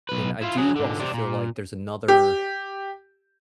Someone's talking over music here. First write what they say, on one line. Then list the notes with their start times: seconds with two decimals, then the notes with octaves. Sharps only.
and, I do also feel like there's another
0.09 B1 B4
0.41 E4 F4
0.57 F#3 G#4
0.76 G#2 D3
1.00 C3 D4
1.14 A#2
2.08 G4